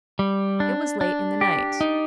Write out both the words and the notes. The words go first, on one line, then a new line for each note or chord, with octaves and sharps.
It was late in the night.
G3
D4
D4
G4
D#4